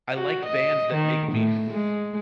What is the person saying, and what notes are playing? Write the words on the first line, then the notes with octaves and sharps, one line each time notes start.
I like bands that make me f
F#4
D#5
D#3
A2
G#3